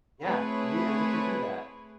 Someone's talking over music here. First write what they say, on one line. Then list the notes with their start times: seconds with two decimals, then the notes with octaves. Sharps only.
Yeah, we and we can do that.
0.22 A3 C4 E4 G#4 B4 C#5